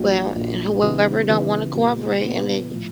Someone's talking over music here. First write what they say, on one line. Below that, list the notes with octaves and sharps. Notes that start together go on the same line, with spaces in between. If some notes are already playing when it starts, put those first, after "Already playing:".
well, and whoever don't wanna cooperate and then
Already playing: A#1 A#2 F#3
A#1 A#2 F#3
C#3 E3 G3 B3 D#4
C#3 E3 G3 B3 D#4
A#2 G3 B3
A#2 G3 B3
A2 F3